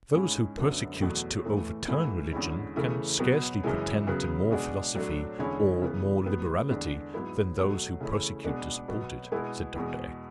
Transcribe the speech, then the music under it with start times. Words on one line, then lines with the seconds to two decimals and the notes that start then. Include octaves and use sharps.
"Those who persecute, to overturn religion, can scarcely pretend to more philosophy, or more liberality, than those who persecute to support it," said Dr. X----.
0.13 G#2 G#3 C#4 E4
0.57 F#2 D3 F#3 B3
1.01 E2 B2 F#3 A3
1.45 A2 E3 A3
1.88 G#2 E3 A3 E4
2.32 E2 D3 G#3 C#4 E4
2.76 C#3 E3 A3
3.20 B2 F#3 B3
3.63 F#2 C#3 E3 G#3
4.07 C#3 F#3 B3
4.50 B2 G#3 D4
4.95 A2 F#3 A3 D4
5.38 E2 D3 G#3 C#4 E4
5.82 C#3 E3 B3
6.26 A2 F#3 B3
6.70 E2 D3 G#3 D4
7.14 G#2 F#3 B3 E4
7.57 B2 F#3 A3
8.00 C#3 E3 A3 C#4 E4
8.44 B2 G#3 B3 D4
8.88 B2 F#3 B3
9.31 B2 G#3 B3 E4
9.75 E2 B2 G#3